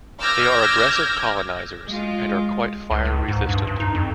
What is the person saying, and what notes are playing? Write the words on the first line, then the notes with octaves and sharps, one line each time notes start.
They are aggressive colonizers, and are quite fire resistant.
D6 E6 F6 G6 G#6 A#6
G#3 F4
C#2
C#2
G#2
G2
G2
D#4
F2